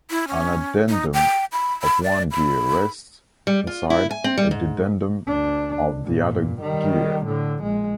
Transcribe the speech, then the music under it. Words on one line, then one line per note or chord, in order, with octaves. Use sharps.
An addendum of one gear rests inside a dedendum of the other gear.
E4
C#4
D#4
G5
B5
B5
D5
B5
G3
F4
E4
G#5
C4
G3
G#2
D2 D4
G2 A#2
D#3 G3
A2 D3
A#1 G#3